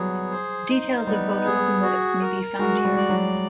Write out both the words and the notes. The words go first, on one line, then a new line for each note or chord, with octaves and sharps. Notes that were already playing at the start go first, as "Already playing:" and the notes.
Details of both locomotives may be found here.
Already playing: F#3 G3 B3 G#4
C5
D#4
G3 B3
G#4
F#4
A#4
G#3 F#4
G3
D5
F#3